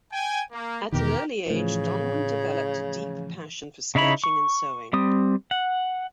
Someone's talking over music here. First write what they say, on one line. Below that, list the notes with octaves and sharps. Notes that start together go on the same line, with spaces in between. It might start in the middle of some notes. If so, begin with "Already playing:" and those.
At an early age, Donwan developed a deep passion for sketching and sewing.
G5 G#5
A#3
E2 B2 D#3 G4 A#4
A2 C#3 E3 F3
C#3 D#4 E4 C#5 B5
C#6
G3 C4 D#6
F#5